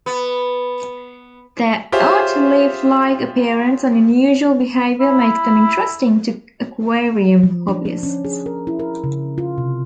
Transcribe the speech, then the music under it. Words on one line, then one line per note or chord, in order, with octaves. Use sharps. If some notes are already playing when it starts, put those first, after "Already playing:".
Their odd, leaf-like appearance and unusual behavior make them interesting to aquarium hobbyists.
B3
F4 G4 G#4 C5 C#5 E5
E4
F3
D4
D4
C#4
G#4
A#4
E4
A#4
C#3
F4
C3